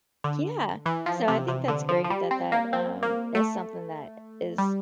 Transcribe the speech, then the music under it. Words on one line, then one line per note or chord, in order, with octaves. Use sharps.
Yeah, so I think that's great that that, um, is something that is
D3
E3
F3
C3
C3
D3
F3
F3
G3
C4
A#3
C4
A#3
A3
G3